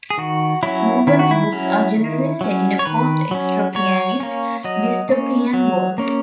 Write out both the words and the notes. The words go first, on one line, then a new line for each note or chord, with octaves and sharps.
Morgan's books are generally set in a post-extropianist dystopian world.
G#4
D#3 F#4
F#3 C#4 E4
D#3 E4
F#4
E4
F#3 C#4
D#3
F#3 C#4
C#5
D#3 B4
F#3 C#4
F#3 C#5
A#3 C#4
F#3 D#5
A#3 C#4
F#3
A#3 C#4